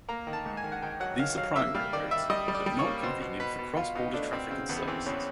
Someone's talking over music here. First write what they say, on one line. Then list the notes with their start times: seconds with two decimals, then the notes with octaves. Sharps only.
These are primary roads but not convenient for cross-border traffic and services.
0.09 A#3 A#5
0.27 D#3
0.33 A5
0.46 G#2
0.57 G#5
0.64 D#3
0.72 F#5
0.82 D#3 G5
1.00 F#3 F#5
1.19 D#3 F5
1.37 F#3 F5
1.56 A#3 E5
1.74 G3 F5
1.93 D#3 D5
2.11 D#3 E5
2.30 G3 D#5
2.48 G3
2.55 D5
2.66 G3
2.79 C#5
2.85 A#3
3.03 B2 C5
3.22 B2
3.40 B2 B4
3.59 B2
3.77 B2 F4
3.95 B2 D#4
4.14 A3 D4
4.33 B2 C4
4.51 C#3 C4
4.69 E2 B3
4.87 E3 C4
5.06 E2 C#4